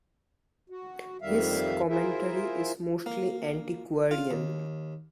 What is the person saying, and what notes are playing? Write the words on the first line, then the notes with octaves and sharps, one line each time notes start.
His commentary is mostly antiquarian.
F#4
F2 D#3 G3 E5 F5
E4 F4 G#4 A#4 C5 E5
A#3
F4
D#2